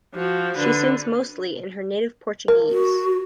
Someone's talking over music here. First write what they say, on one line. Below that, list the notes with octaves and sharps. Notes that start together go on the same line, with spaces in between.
She sings mostly in her native Portuguese.
F3 F#4
D3 B4
A#4
F#4